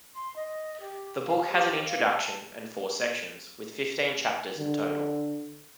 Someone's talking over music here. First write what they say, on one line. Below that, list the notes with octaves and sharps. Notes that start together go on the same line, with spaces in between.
The book has an introduction and four sections, with fifteen chapters in total.
C6
D#5
G4
F5
G4
F5
A5
D3